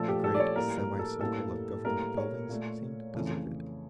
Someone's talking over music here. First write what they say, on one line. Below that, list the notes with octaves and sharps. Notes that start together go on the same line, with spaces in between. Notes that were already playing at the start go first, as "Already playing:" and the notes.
The great semi-circle of Government buildings seemed deserted.
Already playing: A#2 F3 A3 A4
G4
A4
D5
C#5
A2 G3 A#3 A#4
A#4
A4
A2 G3 A#3 A4
A2 G3 A#3 A#4
C#5
A#2 A3
F2 C#3 E3 A3